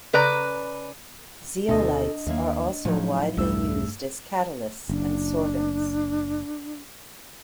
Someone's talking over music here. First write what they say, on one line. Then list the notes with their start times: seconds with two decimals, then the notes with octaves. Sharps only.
Zeolites are also widely used as catalysts and sorbents.
0.13 C#3 B4 D5 A#5
1.69 D2 B2 D4 F4 A4 D#5 G#5
2.27 D#2 A#3 E5 F5
2.85 A2 F3 F#3 D#4 E4
3.37 B1 E2 G2 G3 A3 E6
4.89 F#1 D4